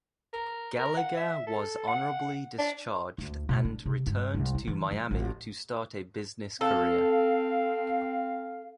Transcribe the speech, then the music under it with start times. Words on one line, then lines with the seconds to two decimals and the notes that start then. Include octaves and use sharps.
Gallagher was honorably discharged and returned to Miami to start a business career.
0.33 A#4
0.79 A#4
0.97 F#5
1.17 E5
1.47 A4
1.88 F#5
2.59 D4
3.18 D2
3.49 B2
3.65 D4
3.86 C3
4.07 G2
4.34 C2
4.55 E4
4.67 E3
4.91 F3
5.11 A1
6.61 C4 A4 F5